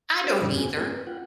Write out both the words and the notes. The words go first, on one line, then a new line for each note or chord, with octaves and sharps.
I don't either.
F#4 C5
F#2 A#2 C#3 F3 G3 C#4
G2 B3 C4 F#4 G#5
A#3 C4 C#4 F4 G#4 A#4
B4
F4 F#5 G5